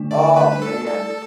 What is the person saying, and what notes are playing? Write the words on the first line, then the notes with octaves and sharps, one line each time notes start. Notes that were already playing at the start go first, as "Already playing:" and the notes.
Oh, man.
Already playing: D3 A3 D4
D3 D5
A3 D4 B4
A3 A4
E4 A4 D5